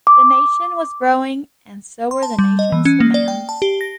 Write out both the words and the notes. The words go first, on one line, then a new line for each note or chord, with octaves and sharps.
The nation was growing, and so were the nation's demands.
D6
C6
A5
G3
D#5
E3
C#4
A#3
D5
G5
A5
G4
A#6